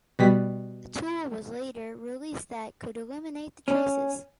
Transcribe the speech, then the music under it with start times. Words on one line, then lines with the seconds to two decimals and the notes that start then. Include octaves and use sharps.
A tool was later released that could eliminate the traces.
0.19 B2 G3 B6
3.68 C#4